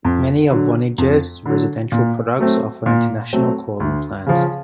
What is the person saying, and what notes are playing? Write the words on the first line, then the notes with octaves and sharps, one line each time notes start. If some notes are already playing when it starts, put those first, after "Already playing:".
Many of Vonage's residential products offer international calling plans.
F2
D3 F#3
F2
D3 F#3
A#2
F#3 A3 C4
A#2
F#3 A3 C4
D2
C#3 F3